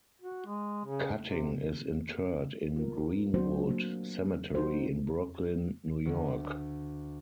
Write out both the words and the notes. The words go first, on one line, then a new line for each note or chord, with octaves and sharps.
Cutting is interred in Green-Wood Cemetery in Brooklyn, New York.
F#4
G#3
C#3
C3
F4 A#4
F#3 A3 C4 D4 F#4 C5
A#3
D#4 F#4 C5
D2